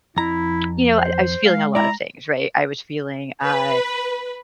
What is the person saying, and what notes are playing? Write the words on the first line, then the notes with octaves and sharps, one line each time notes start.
you know, I was feeling a lot of things, right? I was feeling, I
F2 E4 A#5
C5
G#3 F5
E4 D5 A#5
B4